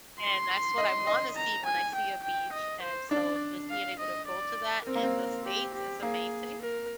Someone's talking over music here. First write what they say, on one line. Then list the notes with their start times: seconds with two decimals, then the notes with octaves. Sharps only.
and that's what I wanna see when I see a beach, and so, just being able to go to that in the States is amazing,
0.20 C6
0.78 D#5
1.07 D#5
1.36 A#5
1.65 G#5
1.95 G5
2.23 G5
2.52 D#5
2.82 C5
3.11 D4 D5
3.70 F5
3.99 D#5
4.28 D5
4.86 C4 A#4
4.95 A#3
5.03 C4
5.45 G4
5.74 G4
6.03 A#3 G#4
6.62 A#4